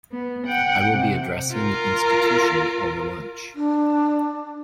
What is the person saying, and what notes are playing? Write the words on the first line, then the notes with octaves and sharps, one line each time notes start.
I will be addressing the institution over lunch.
B3
F#5 G5
C3
F4 A#4
D4